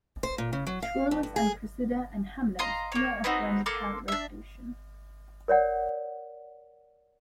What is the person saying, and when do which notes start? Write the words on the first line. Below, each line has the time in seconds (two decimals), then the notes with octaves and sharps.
"Troilus and Cressida" and "Hamlet" do not offer any apparent resolution.
0.23 C5
0.38 A#2
0.53 C#3
0.67 F#3
0.82 F5
1.11 F2
1.23 G2
1.36 G#4
2.59 D#5 F5 A#5 C6
2.92 A#3 C#5
3.24 B3 C4 D#4 F#4
3.66 A#3 A4 C6 D6
4.08 D4 E5
5.48 A#4 C#5 D5 F#5